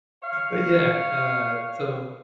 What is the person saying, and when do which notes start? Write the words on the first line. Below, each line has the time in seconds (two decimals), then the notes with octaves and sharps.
but yeah, uh, so,
0.22 C#5 F5